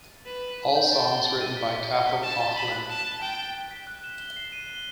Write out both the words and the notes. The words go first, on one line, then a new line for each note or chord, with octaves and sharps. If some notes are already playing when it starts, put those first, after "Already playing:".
All songs written by Cathal Coughlan.
Already playing: D#7
A6
B4 E7
E7
E7
G6
G5 A6
G7
A6
D#7
B6
B6
G7
B6
A5 A6
A6
B5 D#7
F#6
A5 E7
G7
G5 A6
A6
G7
B6
F#6
E7
G7
C7
D#7
G7